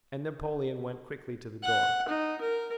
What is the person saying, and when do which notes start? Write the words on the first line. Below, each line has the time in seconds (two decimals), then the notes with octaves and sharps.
And Napoleon went quickly to the door.
1.63 F#5
2.08 D#4
2.41 A#4